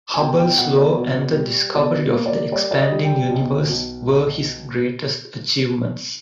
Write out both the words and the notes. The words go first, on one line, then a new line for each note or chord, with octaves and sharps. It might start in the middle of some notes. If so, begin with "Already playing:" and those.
Hubble's law and the discovery of the expanding Universe were his greatest achievements.
G#5
B2 G5
G5
B2 F#5
D5
B2
G3
B2 D5
A#3
D5
G3 D5
D5
D#5
G3
G5
B1
B1